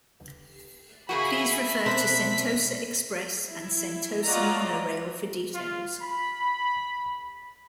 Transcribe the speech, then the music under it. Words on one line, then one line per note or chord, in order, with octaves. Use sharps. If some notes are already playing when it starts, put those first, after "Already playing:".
Please refer to Sentosa Express and Sentosa Monorail for details.
C#3 A#3 F#4 G#4 E5 B5
B2 C4 D4 A#4 C5 B6
E4
F#3 F4 F#4 D5 D#5 A#5
F4
B5